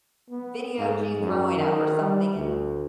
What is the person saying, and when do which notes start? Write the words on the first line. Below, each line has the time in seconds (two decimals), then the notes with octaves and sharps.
videoed you throwing up or something, and
0.30 B3
0.78 G#2
1.21 F#2
1.56 D#3
2.01 G3
2.35 D2